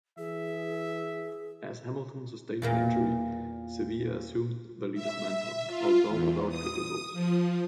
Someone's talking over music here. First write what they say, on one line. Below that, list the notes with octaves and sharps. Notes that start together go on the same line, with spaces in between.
As Hamilton sustained an injury, Sevilla assumed the leader's mantle, although without good results.
E3 G#4 E5
E2 A#2 A#3
E5
F4
E2
D#6
F3